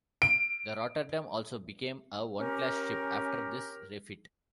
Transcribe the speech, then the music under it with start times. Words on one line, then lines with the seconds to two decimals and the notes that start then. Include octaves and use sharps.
The "Rotterdam" also became a one class ship after this refit.
0.22 D7
2.40 C#4 G4 A#4